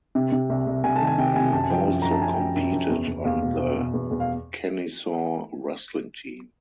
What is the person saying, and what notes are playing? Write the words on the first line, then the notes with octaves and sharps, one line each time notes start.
He also competed on the Kennesaw wrestling team.
C3
C3
C2
C2
C2 G#5
A5
D#3
G#5
C3 G5
C2 G#5
F#2 A5
G#5
F3 G5
F#2
F#2 A#5
A5
F#2 G#5
G5
F#2
F#2
F#2
E2
E2
E2 F5
B2
B2
B2
E2
E2
F5